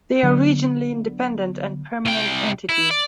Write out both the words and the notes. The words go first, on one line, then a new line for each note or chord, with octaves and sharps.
They are regionally independent and permanent entities.
D3 F#3 B3
C2 G5
E4
D5